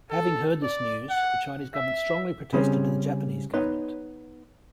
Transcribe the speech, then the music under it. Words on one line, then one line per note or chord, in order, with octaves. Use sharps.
Having heard this news the Chinese government strongly protested to the Japanese government.
A4
D5
F#5
E5
C#3 G3 C4 C#4 G#4 C5
B3 D#4 B4 C#5 C6